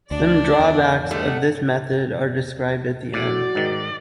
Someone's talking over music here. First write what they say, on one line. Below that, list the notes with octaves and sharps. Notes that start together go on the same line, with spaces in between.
Some drawbacks of this method are described at the end.
D2 D4 D5
E2
G3 A3 D#4 F#5
A2 F#4 D5
G#2 D#3